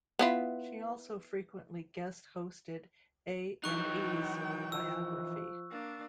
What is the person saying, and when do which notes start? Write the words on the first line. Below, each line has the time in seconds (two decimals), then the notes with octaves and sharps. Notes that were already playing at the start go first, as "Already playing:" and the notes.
She also frequently guest hosted A and E's "Biography".
0.19 B3 E4 F4
3.64 E3 F#3 D#4 G5 C#6 F#6
4.37 D#3
4.72 F3 E6
5.71 A#3 D4